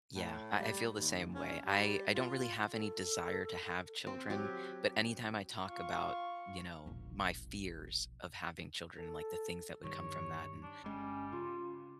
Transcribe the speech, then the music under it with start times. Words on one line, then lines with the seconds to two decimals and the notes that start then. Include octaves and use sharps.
Yeah, I I feel the same way, I I don't really have any desire to have children, but anytime I talk about, you know, my fears of having children, like, the things that would come from that, and
0.15 A2
0.59 G3
0.98 D#2
1.35 C#4
1.66 G3
2.15 F4
2.73 A4
4.07 C4
4.30 F#3 G4
5.67 F4 C#6
6.86 E1 A#1
8.98 A4
9.84 G2 D#3 G3 C#5
10.63 D4
10.84 G1 G3 G#3 C#4
11.32 C#3 F4